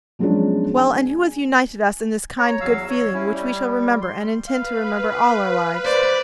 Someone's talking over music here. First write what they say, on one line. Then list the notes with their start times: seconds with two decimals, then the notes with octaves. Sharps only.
Well, and who has united us in this kind, good feeling which we shall remember and intend to remember all our lives?
0.19 F3 F#3 G#3 B3 C#4 D4
0.77 G#5
2.38 C#5 A#5
2.61 E2 F#3 F5 E6
2.90 C#5
3.14 C#4 E4
3.33 G3
4.01 C6
4.48 B4 F5
5.84 C5 D5